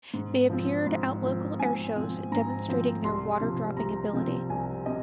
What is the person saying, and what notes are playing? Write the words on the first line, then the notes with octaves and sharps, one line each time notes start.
They appeared at local airshows, demonstrating their water-dropping ability.
G#2
F3 C4
G#2
F3 C4
G#2 G#5
F3 C4
G#2 A#5
F3 C4
C2 C6
C3 F3 C4
C2 A#5
C3 F3 C4
C2 G#5
C3 D#5